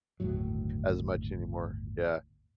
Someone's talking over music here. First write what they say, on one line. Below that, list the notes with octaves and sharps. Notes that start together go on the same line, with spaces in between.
as much anymore. Yeah.
G1 D#2 A2 F#3